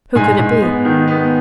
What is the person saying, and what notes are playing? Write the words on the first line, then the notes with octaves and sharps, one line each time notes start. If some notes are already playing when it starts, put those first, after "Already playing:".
Who could it be?
G#2 G#5
G#2
B3
D#3
B3